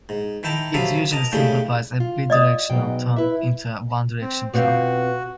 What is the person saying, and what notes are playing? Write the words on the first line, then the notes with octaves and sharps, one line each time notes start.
It usually simplifies a bidirectional tone into a one-direction tone.
G#2
D#3 E4 G5 A5 A#5
C3 F#3 A4 F5 B5 D#6
A#4 D#5 A5 A#5
A2 C#3 G#3 A3 D4 G4
F4
D5 D#5 D#6
G#2 B2 F#3 G5
E4 B4 E5
C4
B2 C4 F4 F#4